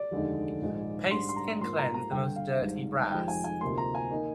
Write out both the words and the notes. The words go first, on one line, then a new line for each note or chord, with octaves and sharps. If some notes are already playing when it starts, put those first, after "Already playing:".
Paste can cleanse the most dirty brass.
Already playing: D5
F1 D#2 D3 G#3 D#4
A#1 G#2 D#3 G#3 D#4
G#2 G3 D4 C6
C6
A#5
G#2 F3 A#3 C6
A#5
A#5
G1 G2 D3 G5
F5
G#1 G#2 G3
F1 F2 D#3 G#3 D#4 G5
G#5
G#5
D2 C3 F3 A#3 D#4 C6
A#5
G#5
D#3 A#3 D#4